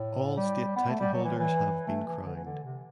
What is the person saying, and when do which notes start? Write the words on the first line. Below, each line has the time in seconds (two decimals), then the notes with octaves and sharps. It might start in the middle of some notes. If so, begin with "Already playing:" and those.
All state titleholders have been crowned.
Already playing: A2
0.37 G3
0.76 B3
0.88 A3
1.00 G3
1.13 F#3
1.25 E3
1.38 E3
1.87 A3
2.07 E3
2.25 D3
2.36 E3
2.45 D3
2.64 C3